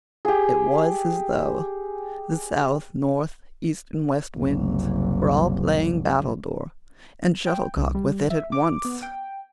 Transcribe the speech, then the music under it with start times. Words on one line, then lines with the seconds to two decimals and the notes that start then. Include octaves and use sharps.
It was as though the South, North, East, and West winds were all playing battledore and shuttlecock with it at once.
0.25 G4 G#4
4.36 F#1 C2
7.47 G5
7.76 C2
7.95 G3
8.30 E5
8.52 D6
8.85 B3
9.03 G5